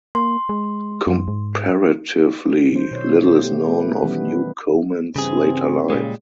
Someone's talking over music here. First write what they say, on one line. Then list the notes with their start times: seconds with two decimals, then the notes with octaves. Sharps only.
Comparatively little is known of Newcomen's later life.
0.15 A#3 C6
0.49 G#3
1.07 F#2
1.28 G#2
2.72 D#3 F#3 C5
2.91 B2 C5 C#5
3.40 A3 B3 G4
3.68 A3 B4
4.03 D#3 E3 F#3 G3 B3 C#4
5.16 G2 C#3 E3 C4 G#4
5.90 A#2 C#3 G3 G#3 C#4